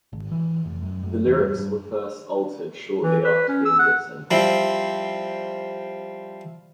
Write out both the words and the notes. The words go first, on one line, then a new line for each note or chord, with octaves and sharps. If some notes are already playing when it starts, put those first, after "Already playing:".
The lyrics were first altered shortly after being written.
G#1
E3
F1
F#2
F#2
E2
G2
G2
E3
B4
C#4
E6
F#5
F3 G3 C4 E4